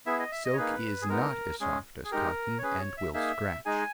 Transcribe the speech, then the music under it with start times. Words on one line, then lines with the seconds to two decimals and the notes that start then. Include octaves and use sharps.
Silk is not as soft as cotton and will scratch.
0.06 B3 E4 G#4 E5
0.19 D#5
0.32 E5
0.45 D#5
0.53 C#5
0.57 A#3 D#4 G#4 B4
1.02 G#4
1.09 G#3 B3 D#4 A#4
1.60 G#3 C#4 G#4
2.05 G#4
2.11 G#3 D#4 G4 A#4
2.59 C#5
2.63 C#4 G#4 B4
2.80 C#5
2.98 E5
3.14 A#3 D#4 G#4 E5
3.66 G#3 D#4 G#4 G#5